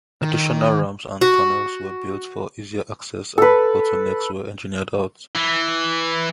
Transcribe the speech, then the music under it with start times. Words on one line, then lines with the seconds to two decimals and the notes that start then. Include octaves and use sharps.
Additional ramps and tunnels were built for easier access, and bottlenecks were engineered out.
0.22 D#3
1.21 F#4
3.38 A4 B4
5.36 E3